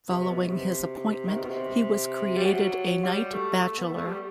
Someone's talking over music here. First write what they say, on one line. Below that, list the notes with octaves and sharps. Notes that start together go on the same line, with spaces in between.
Following his appointment, he was created a knight bachelor.
C3
C3
B2
C3
D#3
C3
B2
C3
G3
F#3
G3
A3
A3
B3
A3
G3